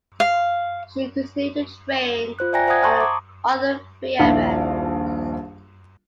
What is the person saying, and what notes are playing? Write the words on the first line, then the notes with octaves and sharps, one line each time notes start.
She continued to train on the other three events.
F5
F4 C5 F#6
D5 E5 G5 G#5 A#5 A#6
C5 E5 F#5 D#6 G#6
A5 A#5 C6 C#6
D6 D#6
D#1 A#1 D4 E4 F5 A5